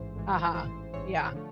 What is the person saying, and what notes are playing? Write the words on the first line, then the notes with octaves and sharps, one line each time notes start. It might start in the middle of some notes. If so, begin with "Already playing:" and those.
Uh-huh, yeah.
Already playing: A1 G#2 E3 C5
A1 G#2 E3
A1 G#2 E3 C5
A1 G#2 E3 C#5
D3 F3 A3